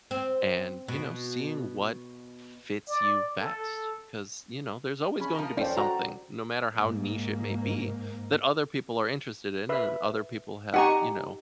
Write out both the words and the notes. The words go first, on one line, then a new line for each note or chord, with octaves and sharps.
and, you know, seeing what fits you best, 'cause, you know, there's always going to be something, no matter how niche it may be, that other people are interested in and other people have, you know,
C4
B2
D5
A4
C#4 G#4 B5
F3 A#4
F3 C#4 A4 C5 D5 G5
F#4 F#5 A#5
G#2 A#3
B4 E5
D#4 G4 F#5 G#5 A#5 C#6